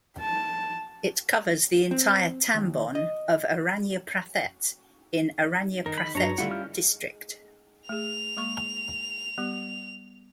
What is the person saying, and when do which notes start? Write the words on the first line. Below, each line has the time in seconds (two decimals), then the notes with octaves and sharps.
It covers the entire "tambon" of Aranyaprathet, in Aranyaprathet District.
0.21 A5
1.91 C4
2.54 D#2
2.95 D#5
5.86 D#3 A#4
5.98 B5
6.15 G2 F#3 D4 C#5 A#5
6.38 D3 G3 A3 E4 F4 F#5
6.50 C#4 F6 G6
7.89 A3 G#4 F7
8.37 G#3 A#3 C#6
9.38 G3 B3 G4